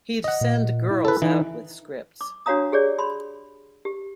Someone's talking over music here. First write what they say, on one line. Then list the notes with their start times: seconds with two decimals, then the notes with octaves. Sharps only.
He'd send girls out with scripts.
0.24 D#5 F#5
0.41 A#2
0.91 E4
1.05 A4 B4
1.22 E3 D#4
2.21 D6
2.46 D4 F#4 C#5 F5 A#5 D#6
2.72 G4 G#4 C#5 D5
2.99 B5 C6
3.85 G4